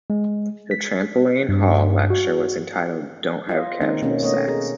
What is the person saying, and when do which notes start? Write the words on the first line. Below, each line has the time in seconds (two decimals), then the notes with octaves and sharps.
Her Trampoline Hall Lecture was entitled "Don't Have Casual Sex".
0.10 G#3
0.71 B6
1.49 G2
2.10 F#4
3.49 F4 D#5
3.81 D#3 A#3 C4 D#4
4.02 B2 A#3 C4 C#4
4.22 A3 B3 C#5 D#5
4.48 G#4 A#4